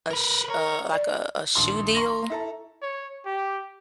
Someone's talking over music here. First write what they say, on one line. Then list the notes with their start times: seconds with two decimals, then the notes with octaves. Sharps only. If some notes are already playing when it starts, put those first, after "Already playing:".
a sh uh, like, a a shoe deal,
0.10 A#4 B4
0.50 A#4 C#5
0.93 D5
1.55 A#1 D#2 C6
1.95 A#5 C6 C#6 A#6
2.30 E4 A4 A#5
2.82 C#5
3.26 G4